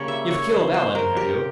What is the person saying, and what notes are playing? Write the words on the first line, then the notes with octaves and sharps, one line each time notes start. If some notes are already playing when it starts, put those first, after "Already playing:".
You've killed Alan, have you?
Already playing: C#3 G3 A#3 C#5
E5
C#5
C5
C5
A#4
G4